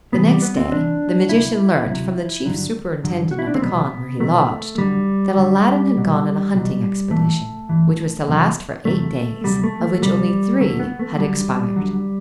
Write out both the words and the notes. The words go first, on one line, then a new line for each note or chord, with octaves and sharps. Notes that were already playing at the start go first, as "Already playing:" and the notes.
The next day the magician learnt, from the chief superintendent of the khan where he lodged, that Aladdin had gone on a hunting expedition, which was to last for eight days, of which only three had expired.
C2 C3 E3 B3
G3
B3
C4
C2 C3 E3 D4
D2 C3 F#3 E4
D2 C3 F#3
G2 D3 F#3
G2 D3 F#3
F#4
E4
D4
C4
C2 B2 F#3 B3
C2 B2 F#3 A3
F#2 D3 F#3 G3
F#2 D3 F#3
C2 B2 F#3
C2 B2 F#3
G2 E3 A3
G2 E3
E2 C3 F#3
E2 C3 F#3 A3
D2 C3 F#3 G3
A3
A3
D2 C3 F#3 G3
D2 D3 F#3 A3
B3
A3
D2 D3 F#3 G3
D2 D3 F#3